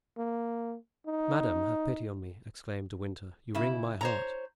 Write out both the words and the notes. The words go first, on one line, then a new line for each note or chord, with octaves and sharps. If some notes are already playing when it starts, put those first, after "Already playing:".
"Madame, have pity on me," exclaimed De Winter; "you wring my heart!"
A#3
D#4
C#3 E4
C5 C#5 A#5